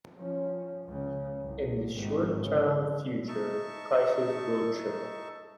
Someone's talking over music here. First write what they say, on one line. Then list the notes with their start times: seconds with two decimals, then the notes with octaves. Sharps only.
In the short term future, prices will triple.
0.18 F3 C#4
0.84 C#2 C#3
1.43 C2
1.92 G#1
2.41 C#3
3.28 D#4 E5 A5 C#6